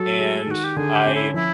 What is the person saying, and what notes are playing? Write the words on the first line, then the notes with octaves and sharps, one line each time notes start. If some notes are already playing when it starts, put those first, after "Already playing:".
and I
Already playing: F#3 A4
G#3
D#3 F#4
G4
D3 G#4
G4
C#4
E4
F3 E4